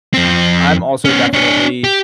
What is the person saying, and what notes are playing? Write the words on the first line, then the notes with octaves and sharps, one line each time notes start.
I'm also definitely
F2 C4
B3 C#4
D4 C#5
G4